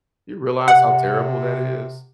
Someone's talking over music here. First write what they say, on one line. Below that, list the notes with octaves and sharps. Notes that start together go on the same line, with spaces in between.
You realize how terrible that is?
C3 F#5